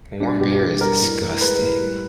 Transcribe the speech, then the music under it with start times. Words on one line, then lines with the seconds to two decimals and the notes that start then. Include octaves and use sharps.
Warm beer is disgusting.
0.20 G3 D4
0.40 B2 G4
0.61 G3 G4
0.81 G3 A#4
1.01 A2
1.21 A2
1.41 G#3 B4
1.62 A2
1.81 G3